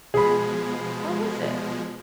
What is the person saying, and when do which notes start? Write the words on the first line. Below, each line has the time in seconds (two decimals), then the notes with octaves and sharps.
What was it?
0.14 B2 F3 G#3 G#4 B5